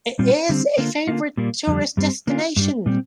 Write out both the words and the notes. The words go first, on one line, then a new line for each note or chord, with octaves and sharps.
It is a favourite tourist destination.
A#2 G3 C4 F4
D3 G3 C4
D3 A#3 F4
D3 A#3 F4
A#2 G3 A#3
F2 D3 G3
G2 G3 C4
D3 A#3 D4 F4
G2 G3 D4
A#2 G3 C4